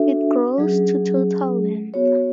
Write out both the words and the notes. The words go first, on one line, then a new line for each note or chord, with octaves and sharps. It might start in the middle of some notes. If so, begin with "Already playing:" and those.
It grows to total length.
Already playing: D4 F#4 A4 E5
F#3 C#4 G#4
B3 F#4 C#5